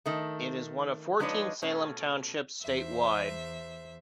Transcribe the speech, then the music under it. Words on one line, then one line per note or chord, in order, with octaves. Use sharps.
It is one of fourteen Salem Townships statewide.
D#3 A3
F3 G#3 D4 D#4 B4 C#5
B2 A3 C#4
E2 C5 E5